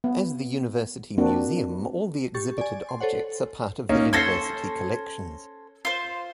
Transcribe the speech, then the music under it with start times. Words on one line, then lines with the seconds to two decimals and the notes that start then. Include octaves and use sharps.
As the university museum all the exhibited objects are part of the university collections.
0.04 B3
1.18 A#3 C4 D4 F#4
2.34 G4 C#6 A6
2.58 D5 G#5
2.89 C6
3.00 A4 C5 C#5 F#5
3.89 A#3 C#4 D#4
4.13 C#4 A4 C5 G#6 A#6 C7
5.85 F4 C5